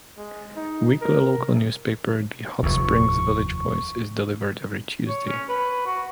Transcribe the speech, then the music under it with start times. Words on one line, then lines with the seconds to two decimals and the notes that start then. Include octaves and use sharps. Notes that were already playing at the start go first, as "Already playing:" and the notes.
A weekly local newspaper, the "Hot Springs Village Voice", is delivered every Tuesday.
0.18 G#3
0.56 D#4
1.02 A#4
2.63 F1 D#2 C#6
5.08 C#5
5.28 C#4
5.49 B4
5.87 F#4